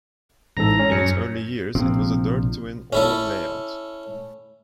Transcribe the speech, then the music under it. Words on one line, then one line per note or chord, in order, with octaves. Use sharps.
In its early years, it was a dirt twin oval layout.
A1 G#2 A4 A#5
C#4
F#2 C#7
A#1 C3 F3 C4
C#4 E4 A4